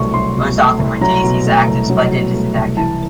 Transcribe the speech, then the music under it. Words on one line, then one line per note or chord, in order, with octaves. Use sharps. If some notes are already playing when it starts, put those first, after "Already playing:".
Most often, when Daisy is active, Splendid is inactive.
Already playing: C2 B2 F#3 A3 C#6
F#3 C6
B2
A3
C2
F#3 A#5
B2
A3
C2
F#3
B2
A3
C2
E3 A5